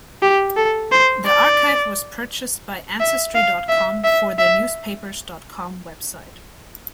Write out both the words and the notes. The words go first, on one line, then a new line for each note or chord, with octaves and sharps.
The archive was purchased by Ancestry dot com for their newspapers dot com website.
G4
A4
C5
D5
E5
F5
E5
E5
E5